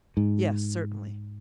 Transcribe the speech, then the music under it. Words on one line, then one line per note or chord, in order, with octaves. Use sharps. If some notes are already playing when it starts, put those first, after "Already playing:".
"Yes certainly."
G#2